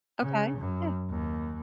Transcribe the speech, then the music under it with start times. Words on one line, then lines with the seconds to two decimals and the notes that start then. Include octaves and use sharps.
Okay, yeah.
0.22 C#3
0.59 F#2
1.10 D#2